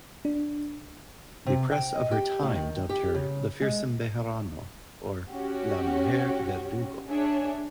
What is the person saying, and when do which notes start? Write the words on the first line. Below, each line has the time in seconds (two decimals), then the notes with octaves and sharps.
The press of her time dubbed her "The Fearsome Bejarano" or "La Mujer Verdugo".
0.25 D4
1.46 C3
1.72 G5
1.94 D#5
2.11 G4
2.43 A2
2.55 D#3
2.89 G4
3.15 C#3
3.62 G#3
5.30 C#4 F#4 G4
7.08 D4 G#4 C#5 E5